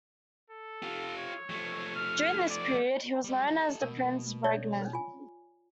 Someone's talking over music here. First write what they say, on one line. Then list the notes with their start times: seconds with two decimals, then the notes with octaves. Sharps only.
During this period, he was known as "the Prince Regent".
0.50 A4
0.82 F4 G4
1.18 C#5
1.50 F3 A3
1.96 F6
2.50 D5
3.24 G3 G#3
3.47 G4 A4
3.82 B2 A#4
4.44 C#5 D5 E5
4.93 F4 G#5